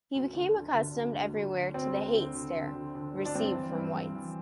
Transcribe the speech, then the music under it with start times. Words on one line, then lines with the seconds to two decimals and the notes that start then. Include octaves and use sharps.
He became accustomed everywhere to the "hate stare" received from whites.
0.14 D2
0.35 D3
0.54 D3
0.74 D3
0.94 D2
1.14 D2
1.35 D2
1.55 D3
1.74 D2 C4
1.94 D2
2.14 D3
2.35 D3
2.55 D3
2.75 D3
2.95 D3
3.15 D2
3.25 D4
3.35 G2 C4
3.55 E3
3.75 G2
3.95 G2
4.15 E3